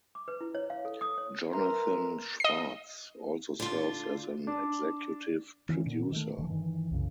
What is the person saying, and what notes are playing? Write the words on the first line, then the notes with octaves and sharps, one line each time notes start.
Jonathan Schwartz also serves as an executive producer.
D6
B4
E4
C#5
F5
A4
D#6
C#5
A#4 B4 E5 A#5 C6
D#5 C7
D3 F4
D4
D#3 E3 G3 C#4
A#2 D3
D#3 A3
D#1 D3 E3 F3
G2 D#3 E3
C2 F#2 C#3